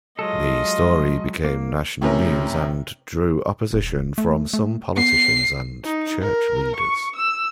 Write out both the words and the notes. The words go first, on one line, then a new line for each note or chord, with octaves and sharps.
The story became national news and drew opposition from some politicians and church leaders.
F#3 G#3 F4 A4 D#5
A#3
A2 C3 C#4 A#4
D#1
A3
A3
B3 C7
D#4
A#4
C#6
E6